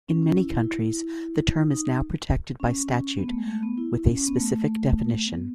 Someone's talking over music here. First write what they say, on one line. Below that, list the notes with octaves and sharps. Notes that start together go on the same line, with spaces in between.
In many countries the term is now protected by statute, with a specific definition.
C#4
C#4
E4
E4
D#4
C#4
B3
A3
G#3
A3
B3
E4
C#4
C#4
B3
A3
A3
B3